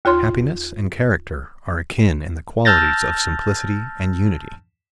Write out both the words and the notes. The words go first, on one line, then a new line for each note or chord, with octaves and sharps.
Happiness and character are akin in the qualities of simplicity and unity.
D#2 F4 C#5 C6
A5 E6 F6 G6 A6 A#6